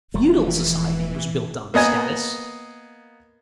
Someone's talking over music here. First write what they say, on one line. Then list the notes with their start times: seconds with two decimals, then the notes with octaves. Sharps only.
Feudal society was built on status.
0.14 E1 E3 F3 A3
1.74 A#3 B3 D#5 G#5